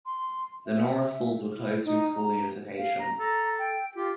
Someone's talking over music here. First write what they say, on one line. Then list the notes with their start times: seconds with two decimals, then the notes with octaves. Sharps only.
Lenora schools were closed through school unification.
0.06 C6
0.66 E5
1.57 E4
1.85 D#4
2.16 A#5
2.77 F5
2.99 A#5
3.19 A4 A#5
3.59 G5
3.95 F4 G4